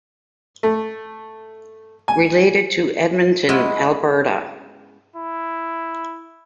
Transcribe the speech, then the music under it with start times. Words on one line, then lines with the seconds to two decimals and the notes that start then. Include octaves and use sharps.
Related to Edmonton, Alberta.
0.63 A3
2.08 G#5
3.49 G#3 B3 C#4 E4 B4 E5
5.16 E4